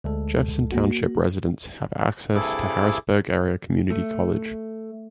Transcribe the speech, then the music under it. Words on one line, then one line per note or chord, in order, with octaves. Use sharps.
Jefferson Township residents have access to Harrisburg Area Community College.
D2 G#3 A4
A#3 F#4
G2 C3 E4 G#4 A4 D6
A3